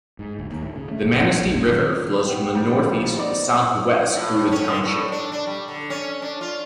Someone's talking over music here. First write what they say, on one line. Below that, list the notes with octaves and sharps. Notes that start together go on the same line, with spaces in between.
The Manistee River flows from the northeast to the southwest through the township.
G#2
D2
D#2
A2
C#3
A3
G1
F2
B1
F#1
D#3
B3 G4
F3 G3
D#3
B3 D#4 D5
A2
C#4
D3
A2
D4
D4
G3
D3
C#4
D4
F4